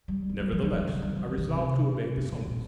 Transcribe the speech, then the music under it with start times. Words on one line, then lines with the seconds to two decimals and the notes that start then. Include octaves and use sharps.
Nevertheless, I resolved to obey the summons.
0.08 G3
0.29 F3
0.40 G3
0.52 F3
0.62 G3
0.73 F3
0.87 D3
1.02 G3
1.16 F3
1.28 F3
1.38 D#3
1.49 C3
1.59 C3
2.03 A2
2.17 A2
2.32 A#2
2.47 A#2